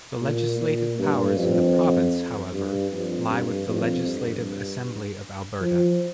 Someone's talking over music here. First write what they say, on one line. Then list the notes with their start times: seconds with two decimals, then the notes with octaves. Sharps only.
The legislative powers in the province however, lie with the Legislative Assembly of Alberta.
0.22 A#2
0.59 A#2
0.99 G2
1.37 F2
2.52 G2
2.92 F2
3.30 G2
3.68 F2
4.07 G2
5.61 F3